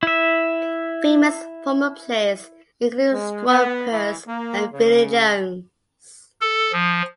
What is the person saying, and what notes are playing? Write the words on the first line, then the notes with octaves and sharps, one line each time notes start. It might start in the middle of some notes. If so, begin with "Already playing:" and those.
Famous former players include Stuart Pearce and Vinnie Jones.
E4 E5
G#3
B3
E3
A#3
C#3
A4
F3